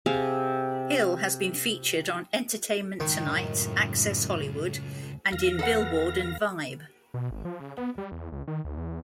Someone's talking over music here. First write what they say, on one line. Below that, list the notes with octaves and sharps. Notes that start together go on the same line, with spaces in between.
Hill has been featured on "Entertainment Tonight", "Access Hollywood", and in "Billboard" and "Vibe".
C3 G#4 F5
C#2 F#2 A2 D#3
E2 F5 A#6
A4 B4 F#5
B2
G#1
F3
C#3
B3
G3
E2
C#2
D#3
D2
E2